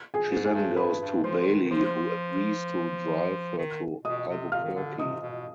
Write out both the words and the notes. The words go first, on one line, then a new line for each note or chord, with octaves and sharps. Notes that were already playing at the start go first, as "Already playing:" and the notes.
She then goes to Bailey who agrees to drive her to Albuquerque.
G#4 G#5
G#2
G#4 G#5
G2
G2 B4 B5
G2
F3 C5 C6
D#3
D#3
F3 C5 C6
D#3
B2 D#5 D#6
C3
C3 F5 F6
D#3
D3
C3 D#5 D#6
B2